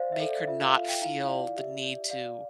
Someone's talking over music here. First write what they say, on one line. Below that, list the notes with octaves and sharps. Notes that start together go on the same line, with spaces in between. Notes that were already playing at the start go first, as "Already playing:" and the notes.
make her not feel the need to
Already playing: C5 D5 F5
E5
A4
D5
F4 E5
F5
F4 F5
G5
E4 F5
F5
D5
G4 E5
D5
D5 F5